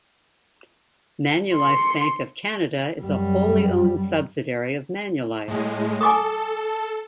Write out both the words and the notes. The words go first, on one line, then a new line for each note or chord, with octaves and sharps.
Manulife Bank of Canada is a wholly owned subsidiary of Manulife.
C6 C#7
F#2 G3
A2 G#3
A4 G#5 D6 D#6